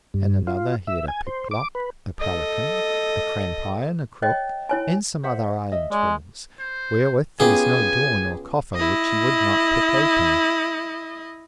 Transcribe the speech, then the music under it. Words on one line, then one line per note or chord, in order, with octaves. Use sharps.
In another he had a picklock, a pelican, a crampiron, a crook, and some other iron tools, wherewith there was no door nor coffer which he would not pick open.
G2
F4
E5
G#5
C5
D6
B4
A4 D#5
C#5 D#5 G5
E4 C#5 G#5
C5 E5 F#5
D#5 E5
G#3 D5
C5
B3 C#4 F4 G4 G#4 G#5
E4 D#5